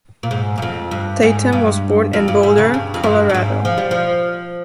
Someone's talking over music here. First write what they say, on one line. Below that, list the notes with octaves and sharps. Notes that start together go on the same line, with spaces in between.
Tatum was born in Boulder, Colorado.
A#2
G#2
G2
F2
G2
G#2
G2
F2
G2
G#2
C#3
G2
F2
G2
G2
G#2
F3
G3
F3